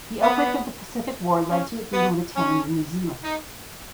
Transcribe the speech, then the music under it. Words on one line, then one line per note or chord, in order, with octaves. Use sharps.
The outbreak of the Pacific War led to it being retained in New Zealand.
B3
C#4
B3
C#4
D#4